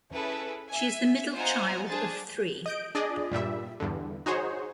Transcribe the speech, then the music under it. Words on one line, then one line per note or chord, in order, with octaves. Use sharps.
She is the middle child of three.
C#4 E4 G#4 A4 B4
E5 G#5
F4 C5 D#5 F#5 G#5 A#5
D4 G#4 C5 A5 A6
D#5 G6 D7
D4 G#4 D5 D#5
G2 A#2 G3 E5
E2 G2 D3
D#4 F#4 G#4 C5 C#5